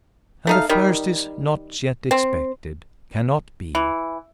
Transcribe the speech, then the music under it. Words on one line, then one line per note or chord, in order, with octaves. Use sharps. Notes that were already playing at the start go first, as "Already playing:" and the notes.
And the first is not yet expected--cannot be.
A3 D#4 F5
D#3 G3
C4
E3